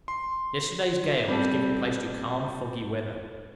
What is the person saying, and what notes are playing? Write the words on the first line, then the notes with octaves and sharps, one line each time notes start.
Yesterday's gale has given place to calm foggy weather.
C6
G3 C4 G4 A4